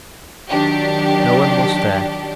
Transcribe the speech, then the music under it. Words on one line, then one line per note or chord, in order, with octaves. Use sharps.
No one was there.
D#3 F#3 D4 G4